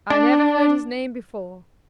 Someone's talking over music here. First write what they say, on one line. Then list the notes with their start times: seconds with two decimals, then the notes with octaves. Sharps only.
'I never heard his name before.
0.10 D4